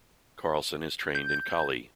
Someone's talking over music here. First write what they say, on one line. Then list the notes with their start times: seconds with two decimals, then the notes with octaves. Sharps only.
Carlson is trained in Kali.
1.15 G6